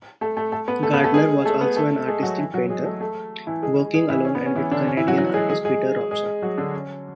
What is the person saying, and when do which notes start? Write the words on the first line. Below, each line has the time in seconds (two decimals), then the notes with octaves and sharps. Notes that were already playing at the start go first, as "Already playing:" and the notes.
Gardner was also an artistic painter, working alone and with Canadian artist Peter Robson.
0.21 A3 A4
0.36 A3 A4
0.52 A3 A4
0.68 B3 B4
0.83 A3 A4
0.93 B3 B4
1.04 A3 A4
1.14 G#3 G#4
1.45 A3 A4
1.61 B3 B4
1.76 A3 A4
2.07 G#3 G#4
2.23 F#3 F#4
2.38 E3 E4
2.54 F#3 F#4
2.66 F#4
2.70 G#3 G#4
2.85 A3 A4
3.01 A3 A4
3.47 E3 E4
3.63 G#3 G#4
3.94 G#3 G#4
4.09 E3 E4
4.25 C#4
4.35 B3
4.45 C#4
4.56 E3 E4
4.71 D3 D4
4.87 C#4
4.97 E3 E4
5.08 F#3 F#4
5.18 F#3 F#4
5.34 G#3 G#4
5.49 G#3 G#4
5.65 G#3 G#4
6.11 G#3 G#4
6.42 F#3 F#4
6.58 D3 D4
6.74 C#4